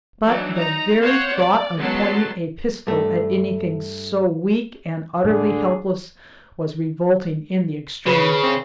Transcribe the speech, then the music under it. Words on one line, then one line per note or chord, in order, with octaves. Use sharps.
But the very thought of pointing a pistol at anything so weak and utterly helpless was revolting in the extreme.
E3 F#3 D4 D#4
D#4 A#5
C4 C5 C#5 F5 F#5
D5
F#3 G#3 B3 C#4 A5 C6
G2 A3
A2 D3 D4 G#4
C#3 B4
C4